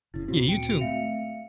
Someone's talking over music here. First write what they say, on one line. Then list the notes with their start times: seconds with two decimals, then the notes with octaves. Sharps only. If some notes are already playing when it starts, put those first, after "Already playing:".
Yeah, you too.
0.14 F#1 C#3 E4
0.28 D2 A#2 C4 F#4
0.49 G5 C#7 D7
0.69 F#4 F7
0.81 A3 C4 E5 F5 C#7